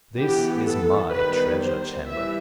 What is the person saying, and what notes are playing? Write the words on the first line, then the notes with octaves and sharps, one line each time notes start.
This is MY treasure-chamber.
E3 B3 G4
A4
D#3 G3 B3 B4
C5
E3 G3 E5